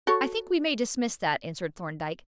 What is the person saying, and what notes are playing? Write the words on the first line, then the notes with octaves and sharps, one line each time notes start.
"I think we may dismiss that," answered Thorndyke.
F#4 A4 C#5